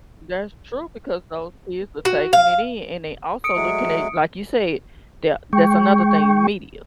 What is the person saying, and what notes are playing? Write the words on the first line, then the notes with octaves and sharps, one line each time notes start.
That's true because those kids are taking it in, and they also looking at like you said, that that's another thing, media.
F#4
F5
D#6 E6 C#7 D7
F#3 G#3 A3
G#3 G5 C#6